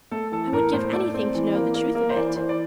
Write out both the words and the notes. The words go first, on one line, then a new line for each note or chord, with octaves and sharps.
I would give anything to know the truth of it.
A3 A4
E3 A4
A2 A#4
A2 C5
A3 D5
C4
E3
A#3
A#3
A#3
C5
E3 D5
E3 C5
D5